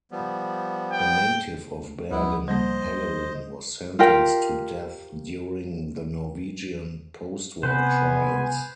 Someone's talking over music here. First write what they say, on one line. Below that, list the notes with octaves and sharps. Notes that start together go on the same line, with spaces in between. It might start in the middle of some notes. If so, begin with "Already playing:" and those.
A native of Bergen, Hagelin was sentenced to death during the Norwegian post-war trials.
F3 G3 B3
G5
D2 F3 B3 E4
G3 A#3 C5 D#5
F4 G4 A#4 G5
C3 B3 B4 C5 G#5